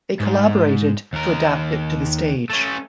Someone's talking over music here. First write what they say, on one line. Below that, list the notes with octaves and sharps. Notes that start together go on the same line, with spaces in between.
They collaborated to adapt it to the stage.
G#2
D#2 A#4
A3 C#4